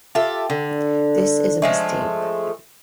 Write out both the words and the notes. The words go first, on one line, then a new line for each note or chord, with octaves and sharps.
This is a mistake.
F4 G4 A4 E5
D3
F3 G#3 A3